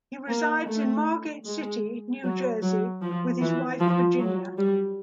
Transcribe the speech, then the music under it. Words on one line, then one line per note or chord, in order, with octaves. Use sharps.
He resides in Margate City, New Jersey with his wife, Virginia.
A#3
A3
G#3
F#3
F#3
F3
E3
F3
F#3
G3